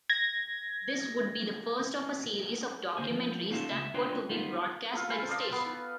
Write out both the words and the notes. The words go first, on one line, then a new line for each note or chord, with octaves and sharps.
This would be the first of a series of documentaries that were to be broadcast by the station.
G#6 A#6
D2 A#3 C5 G#5
F3
A#3 C#4 D#4 F4 A4
C#2 E5
D4 F4 B4 C#5 G5 C6
G3 B3 D#4 F4
F4 A4
A4 C5 G#5 B5
D5 D#5 F5
B3